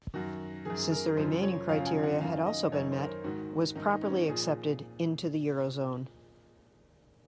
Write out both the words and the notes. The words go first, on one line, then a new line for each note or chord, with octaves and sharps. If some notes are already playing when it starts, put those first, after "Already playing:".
Since the remaining criteria had also been met, was properly accepted into the Eurozone.
F#2 D#3 F#4
F#2 D#3 G#4
A#4
F#2 C#3 F3 C5
C#5
F#2 C#3 F3 F5
G#5
F#5
F#2 D#3 F5
D#5
F#2 D#3 C#5
C5
A#4
G#2 D#3 F#4
G#2 D#3 D#4
D#4
C#4
C4
A#2 F3 G#4